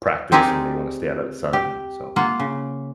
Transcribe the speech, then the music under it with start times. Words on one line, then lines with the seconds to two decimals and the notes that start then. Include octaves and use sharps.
practice and they wanna stay outta the sun so,
0.32 C4 D#4 G4 G#4 A#4 D5
1.53 G4
2.16 A#3 F4 F#5
2.39 C#3